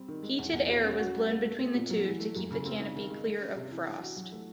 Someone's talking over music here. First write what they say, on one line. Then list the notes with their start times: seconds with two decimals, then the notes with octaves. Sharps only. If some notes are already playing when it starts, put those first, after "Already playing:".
Heated air was blown between the two to keep the canopy clear of frost.
Already playing: G3 C4
0.08 D#3
0.23 G#3
0.39 E2
0.53 E2
0.69 B2
0.84 C#4
0.99 F#4
1.15 G3
1.29 A#3
1.45 A3
1.59 C4
1.74 A#2
1.90 F#3
2.04 E3
2.20 A3
2.35 F#2
2.51 C#3
2.65 C4
2.80 D#4
2.96 D#3
3.10 G#3
3.26 G#3
3.40 C#4
3.56 C3
3.72 E3
3.87 D4
4.01 F#4
4.17 F#3
4.32 A3